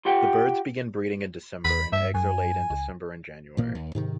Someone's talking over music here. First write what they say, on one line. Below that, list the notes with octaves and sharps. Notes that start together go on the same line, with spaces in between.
The birds begin breeding in December and eggs are laid in December and January.
F4 G4 F#5 G5
E2 B5
G2 E5
F#2 G#5
C#2
A1 A#2 A#3
D#2
G#2 C3 D#3